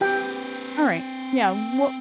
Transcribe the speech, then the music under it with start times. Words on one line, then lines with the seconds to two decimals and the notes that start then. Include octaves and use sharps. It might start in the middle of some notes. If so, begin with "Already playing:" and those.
Alright. Yeah, wha
0.01 C4 G4 B4 G5